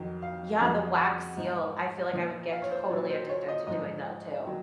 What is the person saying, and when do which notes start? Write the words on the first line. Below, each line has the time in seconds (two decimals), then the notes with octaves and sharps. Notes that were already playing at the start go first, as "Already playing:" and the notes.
yeah, the wax seal, I feel like I would get totally addicted to doing that, too.
Already playing: F2 D#3 F#3
0.22 F5
0.60 F2 C#3 F#3
0.98 F#5
1.37 G#2 F3
2.13 A#2 F3
2.52 F5
2.62 C#5
2.71 C5
2.90 A#2 F#3 C#5
3.10 C5
3.29 C#5
3.49 D#5
3.67 G#2 F3 D#5
4.45 D#3 F#3